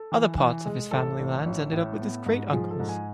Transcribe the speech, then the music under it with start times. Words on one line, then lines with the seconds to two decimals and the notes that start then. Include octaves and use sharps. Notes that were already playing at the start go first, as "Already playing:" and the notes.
Other parts of the family lands ended up with his great-uncles.
Already playing: A4
0.12 E3
0.38 E3
0.66 G#3
0.91 A1 A4
1.19 A1
1.46 A1
1.72 A2
2.00 B3
2.26 G#2
2.53 F3 G#4
2.71 A4
2.80 G#2
2.89 G#5